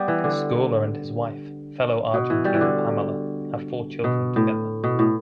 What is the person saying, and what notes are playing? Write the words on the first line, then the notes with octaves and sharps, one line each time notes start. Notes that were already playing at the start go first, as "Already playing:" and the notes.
Scola and his wife, fellow Argentine Pamela, have four children together.
Already playing: G3 B3 G4
E3
D3
B2
E3
G3
E3
D3
B2
A2
B2
A2